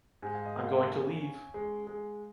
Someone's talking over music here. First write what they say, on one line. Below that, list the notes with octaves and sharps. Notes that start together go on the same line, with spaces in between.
I’m going to leave! ...
G#2 G#5
F5
D#5
A#3 F5
C#4
C#4
G#3
G#3